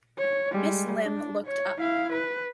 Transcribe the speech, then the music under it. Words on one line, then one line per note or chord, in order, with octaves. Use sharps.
Miss Limb looked up.
C#5
G3 G#3
D4
C#5
E4 F5
B4